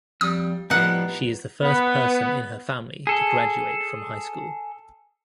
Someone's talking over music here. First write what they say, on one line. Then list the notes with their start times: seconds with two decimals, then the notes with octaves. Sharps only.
She is the first person in her family to graduate from high school.
0.21 F2 G3 D#6
0.70 A2 F3 G3 B3 D#4 F#5
1.62 B3
3.07 G#4 A4